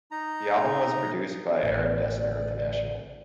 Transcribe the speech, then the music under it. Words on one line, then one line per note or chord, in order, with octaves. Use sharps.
The album was produced by Aaron Dessner of The National.
D#4 A#5
A1 D5